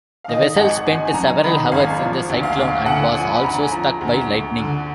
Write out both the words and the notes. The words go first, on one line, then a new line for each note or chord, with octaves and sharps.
The vessel spent several hours in the cyclone and was also struck by lightning.
F5
D#3 D#5
G#1 F#5
G#1 G#5
G#5
F#2 A#5
D#3 B5
G#1 F5
F3
D2
F5
D2
D3 F#5
F3 G#5
B5
D2 A#5
G#5
F3 A#5
D2
D2
D3